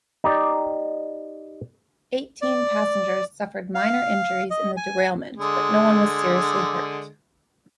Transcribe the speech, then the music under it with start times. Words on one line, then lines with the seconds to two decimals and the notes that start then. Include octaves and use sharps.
Eighteen passengers suffered minor injuries in the derailment, but no one was seriously hurt.
0.24 D#4 G4 D5
2.42 D5
3.75 F5
4.50 D#5
4.77 G#5
5.37 D3 G#3